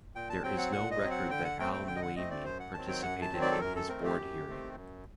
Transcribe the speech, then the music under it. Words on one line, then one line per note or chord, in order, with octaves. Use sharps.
There is no record that Al Noaimi participated in his Board hearing.
A#2 G5
A5
F#3 C4 G5
F#5
A#2 F#5
D#5
F#3 C4
F#5
D3 G5
F#5
A3 C4 G5
G5
D3 G5
D#5
F#5
A3 C4 D#5
D5
F#2 C5
F#5
D#3 F#3 C4 A5
G5
F#2 F#5
A5
D#3 F#3 C4
D5
A4
F#2 A#4
A4
D#3 A3 C4 A#4
G4
F#2
D#3 A3 C4
F#2